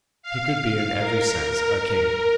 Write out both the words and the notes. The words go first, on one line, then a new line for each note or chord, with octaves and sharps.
He could be in every sense a king.
F5
A#4